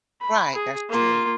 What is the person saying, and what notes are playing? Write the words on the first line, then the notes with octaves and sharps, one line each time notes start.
Right, that's true.
B5
G#4
A#3 F4